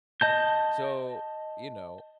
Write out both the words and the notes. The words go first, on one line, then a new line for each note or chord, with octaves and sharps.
So, you know
D#5 A5 G6